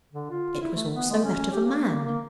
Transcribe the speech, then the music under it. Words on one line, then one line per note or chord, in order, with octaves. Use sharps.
It was also that of a man.
D3
F4
E4
A3
B3
G#3
C#4
G4
A#3
A#3
A#3